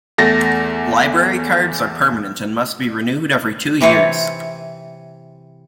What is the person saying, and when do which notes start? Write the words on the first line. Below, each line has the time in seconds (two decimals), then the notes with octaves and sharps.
Library cards are permanent and must be renewed every two years.
0.18 E2 A3 A6 A#6
3.81 C3 E3 C4 C#5